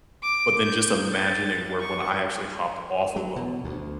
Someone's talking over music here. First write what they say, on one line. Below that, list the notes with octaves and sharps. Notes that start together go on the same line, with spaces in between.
but then just imagining where when I actually hopped off of 'em
D6
G6
A6
C#6
F#3
B2
D2